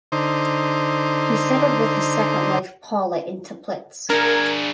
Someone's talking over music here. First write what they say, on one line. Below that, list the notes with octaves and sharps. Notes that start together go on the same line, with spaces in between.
He settled with his second wife Paula in Teplitz.
D3 D#4 C5
D4 G#4 A#4 G#6